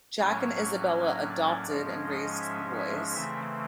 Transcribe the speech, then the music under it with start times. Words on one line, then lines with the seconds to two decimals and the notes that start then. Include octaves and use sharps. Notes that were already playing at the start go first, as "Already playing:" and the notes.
Jack and Isabella "adopted" and raised the boys.
0.19 A2 F#3 A#3 C#4 C#5
0.92 D#5
1.29 D5
1.67 G#2 F3 G#3 C#4
2.03 D#5
2.40 E5
2.78 E5
3.14 C#3 E3 A3 C4 E5